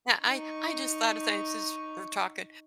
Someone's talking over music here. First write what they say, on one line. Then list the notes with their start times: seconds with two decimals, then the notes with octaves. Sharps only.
Yeah, I I just thought of things since we're talking
0.21 D#4 C#6